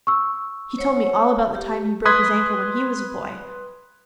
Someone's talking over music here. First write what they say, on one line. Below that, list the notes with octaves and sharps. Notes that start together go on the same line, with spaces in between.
He told me all about the time he broke his ankle when he was a boy.
C#6 E6
C5 C#5 F#5
G4
B4 C6 D#6 F#6 G#6 B6